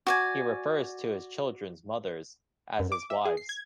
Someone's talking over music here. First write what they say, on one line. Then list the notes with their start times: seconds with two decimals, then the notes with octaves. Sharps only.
He refers to his children's mothers as his wives.
0.07 F#4 D5 G#5
2.79 F#2
2.92 D6
3.10 E5
3.25 G#4
3.37 C7
3.49 G#6